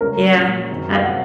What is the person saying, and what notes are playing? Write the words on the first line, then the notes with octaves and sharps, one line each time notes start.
yeah, uh
C#3 G#3 C#4 A#4
A#2 G#3 C#4 G#4
F#2 D#3 F#3 C4
F5
C3 F#3 F#5